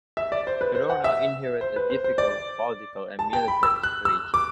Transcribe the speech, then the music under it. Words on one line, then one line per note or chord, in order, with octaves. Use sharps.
Cadorna inherited a difficult political and military situation.
E5
D5
C5
B4
C5
F#5
E5
C5
B4
C5
C5
D5
A5
G5
B5
E6
F#6
E6
D6